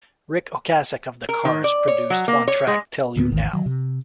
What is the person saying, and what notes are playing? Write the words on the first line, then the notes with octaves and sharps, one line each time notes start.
Ric Ocasek of the Cars produced one track, "Tell You Now".
A#4
D#3
D5
C#5
F#3
A#3
C#5
G#3
D2 A2 G3 B3
G#1 D#2 D#3 E3
D#3 F#3
C3